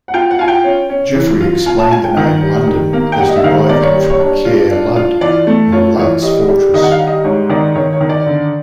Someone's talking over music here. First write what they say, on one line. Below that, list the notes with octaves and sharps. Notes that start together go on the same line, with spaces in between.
Geoffrey explained the name "London" as deriving from "Caer Lud", or Lud's Fortress.
F#5
F4 G5
F#5
F4 G#5
G5
C#4
C#4
E3
F4
F4 G#5
A5
F4 G#5
G5
D#3
G3
D#3
A#3
G5
G3 F#5
D#5
E5
D#3 F5
A#3 D5
C#5
G3
C#5
D4
F4
D4
F4
E3 D5
A3
F4 C#5
E3 C#5
G3 D#5
G3
D#3 D#5
F#5
F5
G3
D#5
G#2 C#5
D#3 D5
D#3 C#5
C#5
D#3
D5
D3